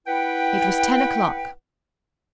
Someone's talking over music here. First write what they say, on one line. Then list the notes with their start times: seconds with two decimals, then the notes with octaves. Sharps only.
It was ten o'clock.
0.07 E4 B4 F#5 G5